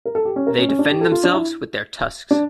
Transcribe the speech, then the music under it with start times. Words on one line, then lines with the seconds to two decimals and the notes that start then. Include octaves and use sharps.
They defend themselves with their tusks.
0.05 A#4
0.15 A4
0.25 G4
0.36 C#4
0.47 A#4
0.58 C#4
0.69 C#4
0.79 D4
0.90 G4
1.01 A4
1.12 F4
1.23 D4
1.33 E4
2.31 D4